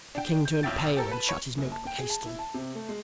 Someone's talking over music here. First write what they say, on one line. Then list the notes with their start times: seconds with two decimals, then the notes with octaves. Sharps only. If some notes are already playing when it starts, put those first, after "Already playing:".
The King turned pale, and shut his note-book hastily.
0.15 D4 G5
0.45 G6
0.63 B1 F2 E5 G5 A6
0.97 G4 A4 A#4
1.11 B4 A5
1.29 C#5
1.58 F#1
1.72 A5
1.87 G5
1.98 G#4
2.10 A5
2.25 E4
2.39 A5
2.54 C3
2.75 A3
2.89 G#3